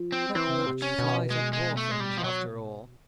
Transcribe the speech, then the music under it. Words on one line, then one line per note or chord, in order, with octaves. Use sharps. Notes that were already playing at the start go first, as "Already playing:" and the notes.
"Not much! flies are poor things, after all!"
Already playing: F3
C4
E3 C4
C3
C#4
B2
G#3
G#3
A3
G#3
G3
F3
F#3